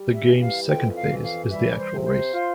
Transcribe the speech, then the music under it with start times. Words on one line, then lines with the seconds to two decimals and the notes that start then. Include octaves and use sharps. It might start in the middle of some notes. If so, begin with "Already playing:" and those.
The game's second phase is the actual race.
Already playing: G3
0.14 E5
0.28 E3
0.41 F5
0.68 F2 G5
0.97 F5
1.10 E3
1.23 F5
1.50 G3 E5
1.79 C5
1.92 C3
2.05 C5
2.33 F4